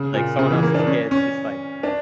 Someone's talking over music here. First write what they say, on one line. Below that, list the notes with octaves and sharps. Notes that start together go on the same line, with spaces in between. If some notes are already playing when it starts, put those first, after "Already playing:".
like, someone else's kids just, like,
Already playing: C#3
A#2
C#3
E3
A#3
D4
C#4
C#4
D4